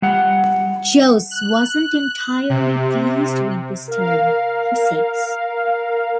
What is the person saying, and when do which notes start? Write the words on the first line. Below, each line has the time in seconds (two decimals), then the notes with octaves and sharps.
"Joss wasn't entirely pleased with this story," he says.
0.02 G3 F#5
1.31 F#6
2.49 C3
3.88 A#4 F5